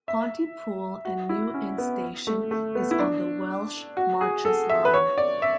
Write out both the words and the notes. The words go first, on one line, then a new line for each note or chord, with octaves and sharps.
Pontypool and New Inn station is on the Welsh Marches Line.
E5
F#4
E4
C#4
B3
A3
A3
B3
E4
D4
F#4
G#4
A4
E5
B4
C#5
D5
E5